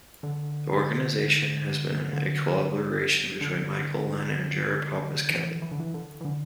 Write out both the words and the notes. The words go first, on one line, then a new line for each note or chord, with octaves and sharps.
The organisation has been a collaboration between Michael Lent and Jared Pappas-Kelley.
D3
D3
D3
E3
E3
D3
E3
D3
E3
D3